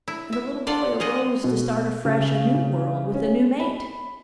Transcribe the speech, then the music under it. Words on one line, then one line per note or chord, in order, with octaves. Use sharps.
And the little boy arose to start afresh a new world with a new mate.
E4
E5
D4 F4 D5 F#5
F4 G#4 D#5 F#5
B2
C#3
C#3
C#4
B5